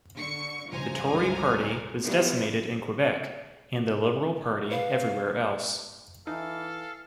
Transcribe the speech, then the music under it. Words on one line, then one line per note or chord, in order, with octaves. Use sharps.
The Tory party was decimated in Quebec, and the Liberal party everywhere else.
D3 C#6 C#7
C#2 G2 F3 C5 G#5 A#5
E3 F3 G3 A#3 B3
B4 F5
E3 D#4 A4 F5